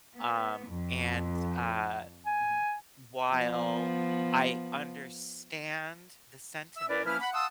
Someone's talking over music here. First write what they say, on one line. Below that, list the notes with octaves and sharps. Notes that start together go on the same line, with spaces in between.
um, and, uh, w while I understand the sentiment,
B3
F2
G#5
F3 B3
E5 E6
C#4 E4 A#4 B4 D5
F3 A#3 C#4 E4 B4 F6
F#5 B5
F5 F#5 A5 C6 D#6 E6